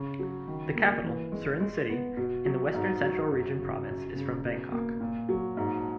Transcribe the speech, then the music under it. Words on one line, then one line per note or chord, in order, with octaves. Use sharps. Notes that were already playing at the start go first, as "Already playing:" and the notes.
The capital, Surin city, in the western central region province is from Bangkok.
Already playing: C#3
F#3
D#3
A#3
E3
G#3
G#3
B3
B2
F#3
G#2
F#3
F#2
C#3
F#2
C#3
B2
A#3
A#2
F#3
G#2